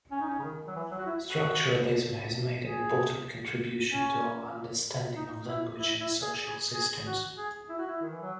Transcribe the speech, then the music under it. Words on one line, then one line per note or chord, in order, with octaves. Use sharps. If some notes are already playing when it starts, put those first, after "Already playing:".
Structuralism has made an important contribution to our understanding of language and social systems.
C#4
D#4
C#4
C#3
D#3
F#3
E3
F#3
F#4
E4
F#4
G#4
C#4
D#4
E4
E4
E4
G#4
G#4
G#4
F#4
G#4
E4
F#4
E4
D#3
E3
F#3